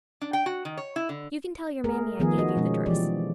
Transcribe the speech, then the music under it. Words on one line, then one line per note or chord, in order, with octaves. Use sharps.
You can tell your mammy I gave you the dress.
D4
G5
F#4
D#3
C#5
E4
D3
A3 G#4 A#4
D#3 F3 B3 G#4
F#4 D#5
B2 F3 G#3 C#4
E3 F3 G4 D5